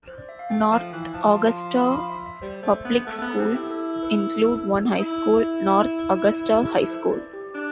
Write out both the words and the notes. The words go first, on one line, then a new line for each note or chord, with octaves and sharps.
North Augusta public schools include one high school, North Augusta High School.
C5
D5
E5
F5
A3 G5
F3
E3
F3 A5
C6
C6
B5
C6
E5
E5
G3 C5
A3 C5
B3 B4
A3 A4
A3
B3 A4
C4 G4
E4 G4
A4
B4
A4
E4
B4
G4
A4
B4
C5
D5
G4
D4 G4